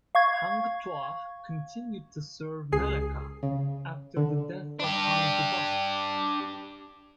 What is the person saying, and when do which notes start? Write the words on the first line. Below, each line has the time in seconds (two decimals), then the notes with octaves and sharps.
Hang Tuah continued to serve Melaka after the death of Hang Jebat.
0.15 F5 C#6 G#6
2.72 C#2 G#4 C7
3.43 C#3
4.17 D3
4.80 D4 G4